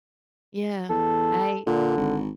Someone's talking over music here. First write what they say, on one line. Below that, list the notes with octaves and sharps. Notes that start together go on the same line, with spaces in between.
Yeah, I
E2 A4
A#2 D3
G#1